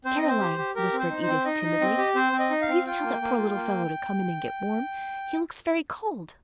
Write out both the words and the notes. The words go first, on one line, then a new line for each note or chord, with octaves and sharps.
"Caroline," whispered Edith timidly, "please tell that poor little fellow to come in and get warm--he looks very cold."
C4 C5
D#5
C4
C5
G4
G4
G4 A#4
C4
C5
D#4
C5
C4
D#4 D#5
D#4
C4
G4
C4 C5
C4
D#5
D#4
F5
C4
F4 G5
A#3
A#3
F4
A#3